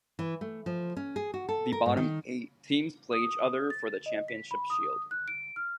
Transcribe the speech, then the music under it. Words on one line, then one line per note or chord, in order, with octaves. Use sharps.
The bottom eight teams play each other for the Championship Shield.
E3
A3
F3
C#4
G#4
F#4
A4
A#4
G#2
D#3
D#6
A6
D#5
B6
B5
D#6
F#6
D7
F6